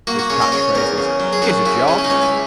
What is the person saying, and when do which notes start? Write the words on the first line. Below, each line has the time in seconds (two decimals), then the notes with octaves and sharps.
His catchphrases, Gizza' job!
0.07 A#3 F#4
0.19 F#4
0.30 C#3 C#5
0.41 D#5
0.52 C#3 C#5
0.75 E2 A#4
0.98 C#3
1.20 F#3
1.33 G#4
1.42 F#2 F#4
1.65 C#3 E4
1.88 C#3 C#4
1.98 C#4
2.04 D#4
2.10 C#2 C#4
2.22 E4